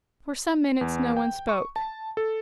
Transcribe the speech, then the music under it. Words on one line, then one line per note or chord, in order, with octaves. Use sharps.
For some minutes no one spoke.
E2
G5
C#6
A5
A4